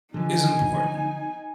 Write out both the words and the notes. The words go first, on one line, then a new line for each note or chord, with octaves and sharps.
is important
D3 F3 D#4 G#5